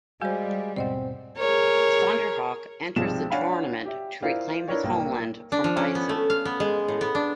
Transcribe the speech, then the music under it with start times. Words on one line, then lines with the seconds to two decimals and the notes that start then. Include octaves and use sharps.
Thunder Hawk enters the tournament to reclaim his homeland from Bison.
0.21 G3 G#3 F#4 C5 F5 G#5 G6
0.76 D#2 G#2 B2 C4 D5 D#5 F#5
1.38 G#4 A#4 C#5
2.96 B1 C3 F3 G3 G#3 E7
3.30 D4 C#5 F5 F#5 G#5 B5
3.85 G4 E5
4.22 E4 F4 A#4 C5 D5
4.68 D4 E4 A#4 B4 C#5 D5
4.83 B1 G3 A#3 A#4 G5
5.52 D4
5.64 F3
5.77 C#4
5.95 B3
6.09 A3
6.30 F5
6.45 B3
6.60 G#3
6.88 A2
7.01 B3
7.15 D4